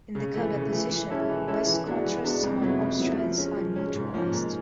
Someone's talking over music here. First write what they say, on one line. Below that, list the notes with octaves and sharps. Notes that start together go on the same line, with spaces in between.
In the coda position, voice contrasts among obstruents are neutralized.
C#3
E3 A3
C#3
E3 A3
E3
G#3 C#4 E4 A4
E3
G#3 C#4 E4 A4
E3
G#3 B3 D4 F#4
E3
G#3 B3 D4 F#4
F2
C#3 F#3 B3 E4
F2
C#3 F#3 B3 E4
F3
G#3 C#4
F3
G#3 C#4
G#2
F3 A#3 C#4
G#2